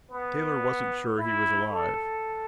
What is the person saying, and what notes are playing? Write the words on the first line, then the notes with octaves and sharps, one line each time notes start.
Taylor wasn't sure he was alive.
B3
E4
A4